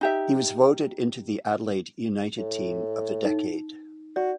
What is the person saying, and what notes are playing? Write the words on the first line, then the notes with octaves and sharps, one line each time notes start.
He was voted into the Adelaide United Team of the Decade.
D#4 G4 E5
A2
D#4
F#4 D5